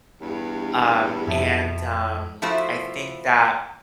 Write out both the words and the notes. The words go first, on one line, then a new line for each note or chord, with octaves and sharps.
um, and, um, I think that
E2 G2
F2 E5 A5
F3 A3 E4 F#4 C5